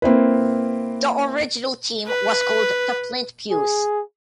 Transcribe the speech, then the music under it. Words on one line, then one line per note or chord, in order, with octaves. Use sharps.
The original team was called the Flint Fuze.
A#3 C4 E4 B4
B4
G#4